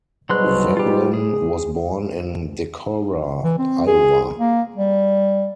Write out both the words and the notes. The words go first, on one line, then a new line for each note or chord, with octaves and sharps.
Veblen was born in Decorah, Iowa.
G#2 B2 F#3 G3 C6 F#6
F4 G4
G#4
E3
C4
G#4
A#3
G3